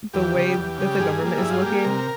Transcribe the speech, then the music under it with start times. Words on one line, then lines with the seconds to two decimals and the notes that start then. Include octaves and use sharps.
the way that the government is looking,
0.13 E2 G4
0.34 C#3 G3
0.57 E2
0.78 C#3 G3
0.99 G2 G#4
1.20 G3 A#3
1.38 G2 E4
1.51 F4
1.62 G3 A#3 G4
1.73 G#4
1.85 C3 A#4